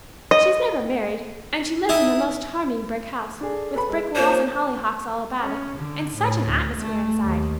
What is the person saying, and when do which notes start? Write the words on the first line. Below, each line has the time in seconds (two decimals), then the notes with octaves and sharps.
She's never married, and she lives in the most charming brick house, with brick walls and hollyhocks all about it, and such an atmosphere inside!
0.31 D#5
1.89 D#4 E4
3.41 D4 G#4 A4
3.74 A4 B4 B5
3.90 G#3
4.15 A#3 F4 C5 C#5
5.39 C#4
5.76 D3
6.16 A2
6.48 D2
6.79 A3
7.23 D#2